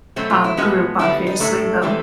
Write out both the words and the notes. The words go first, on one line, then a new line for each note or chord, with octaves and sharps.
uh, group, obviously, though.
B2 F#3 A3 C4
F4
E4
A2 F3 G#3 B3 F#4
D3 G3 B3 E4
D#4
A2 F#3 A3 D4
C3 E3 A3 C4